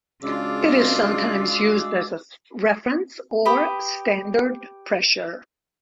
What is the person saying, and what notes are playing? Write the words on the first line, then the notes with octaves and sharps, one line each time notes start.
It is sometimes used as a "reference" or "standard pressure".
C#3 G#3 D4 F4 F#4 D6 E6
G4 B4 B5 D#6